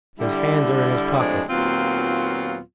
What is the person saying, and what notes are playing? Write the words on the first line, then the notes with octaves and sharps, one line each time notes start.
His hands are in his pockets.
D3 G3 E4
A2 C3 F3 G#3 D4
D#2 A#2 F#3 B3 C4 F4